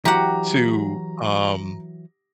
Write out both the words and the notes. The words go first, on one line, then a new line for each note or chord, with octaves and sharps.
to, um,
E3 F#3 F#4 G4 F#5 A#5